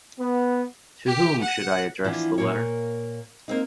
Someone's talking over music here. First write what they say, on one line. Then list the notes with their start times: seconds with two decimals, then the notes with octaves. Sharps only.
To whom should I address the letter?
0.19 B3
1.07 G4
1.43 F#5
2.04 E3 F3 G3 B3 D4
2.38 A#2 A#3 C#5
3.48 A#3 C4 D#4